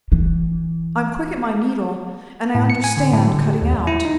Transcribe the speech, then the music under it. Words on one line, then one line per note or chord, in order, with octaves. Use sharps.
I am quick at my needle, and I understand cutting out.
E3
A2
C#7
G#5
D3
A2
D3
G4
D#2
E2
E4
D#4